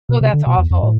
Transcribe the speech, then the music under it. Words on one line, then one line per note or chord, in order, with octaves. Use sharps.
Oh, that's awful.
B2
C3
D3
B2
E2
F2
A2